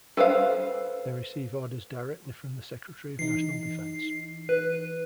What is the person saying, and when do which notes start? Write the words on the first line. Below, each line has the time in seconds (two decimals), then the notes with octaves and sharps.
They receive orders directly from the Secretary of National Defense.
0.17 A4 B4 C5 F5
3.19 E3 D#4 C7
4.49 B4